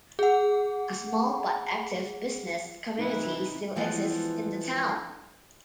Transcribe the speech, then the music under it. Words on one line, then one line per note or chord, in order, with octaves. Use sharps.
A small but active business community still exists in the town.
G#4 F#5
C3 E3 D#4 E4 B4
E3 F3 G#3 B3